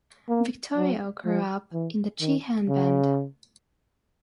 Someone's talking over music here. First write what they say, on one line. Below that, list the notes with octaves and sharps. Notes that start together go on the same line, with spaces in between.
Victorio grew up in the Chihenne band.
A#3
F#3
F3
E3
D#3
C#3